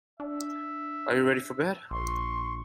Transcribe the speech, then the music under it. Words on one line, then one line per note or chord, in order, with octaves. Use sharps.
Are you ready for bed?
D4 E5
A#1 C6 C#6